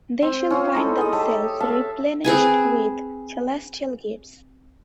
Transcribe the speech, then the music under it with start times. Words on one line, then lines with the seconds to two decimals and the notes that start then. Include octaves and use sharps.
They shall find themselves replenished with celestial gifts.
0.22 C4
0.50 C#4 F4 F5
0.75 D#4 E4 A4 C5
0.98 G#4 D#5
1.13 G4 A4 C#5 E5
1.60 E5 F5 A5
2.24 C4 G#4 B4 G#5